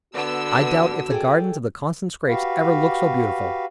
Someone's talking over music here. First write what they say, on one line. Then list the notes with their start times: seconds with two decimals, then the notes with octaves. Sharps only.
I doubt if the gardens of the Constant-Scrappes ever looked so beautiful.
0.14 D3 B3 F#4 E6
1.10 G#4 A4 G5
2.27 F#4 G4 B4 F5